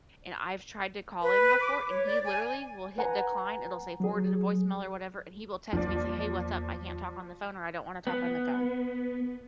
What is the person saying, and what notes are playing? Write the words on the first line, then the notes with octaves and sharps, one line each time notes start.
and I've tried to call him before, and he literally will hit decline. It'll say, "Forwarded to the voice mail," or whatever, and he will text me and say, "Hey. What's up? I can't talk on the phone," or, "I don't wanna talk on the phone."
B4
D6
C#5
D5
G#5
B4 F#5 G#5 A#5
F#3 G#4
E2 F3 A#3 D5
B3